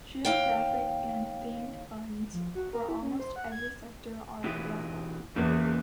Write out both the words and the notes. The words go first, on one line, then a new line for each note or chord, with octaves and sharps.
Geographic and themed funds for almost every sector are available.
D#2 F5 G5
F3
F#4
A#4
E4
C#4
C5
F#5
G#6
B2 E3 G4
E2 C#3 A#3 B3